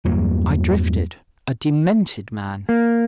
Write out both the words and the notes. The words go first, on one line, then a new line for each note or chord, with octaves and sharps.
I drifted--a demented man.
E2 G2 F#3 A#3
A#3